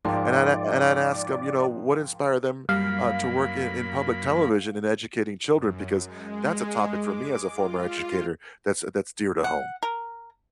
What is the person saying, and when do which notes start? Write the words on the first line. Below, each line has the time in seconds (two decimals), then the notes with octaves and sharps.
and I'd and I'd ask 'em, you know, what inspired them, uh, to work in in public television and educating children because that's a topic for me as a former educator that's that's dear to home.
0.05 G#2 F3 A#4 D5 F5 G5 A5 C6
2.69 F#2 G3 A#3 F5 B5
5.52 F#2
6.03 G#3
6.90 D6
7.48 F4
9.44 F#5
9.83 A#4